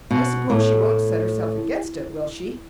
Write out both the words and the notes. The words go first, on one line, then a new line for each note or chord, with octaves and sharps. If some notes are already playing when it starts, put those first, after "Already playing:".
"I suppose she won't set herself against it; will she?"
B2
A2